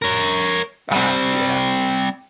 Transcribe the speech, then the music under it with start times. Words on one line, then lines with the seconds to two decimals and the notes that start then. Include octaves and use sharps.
Ah, yeah.
0.02 A#4 C#5
0.92 G3 C4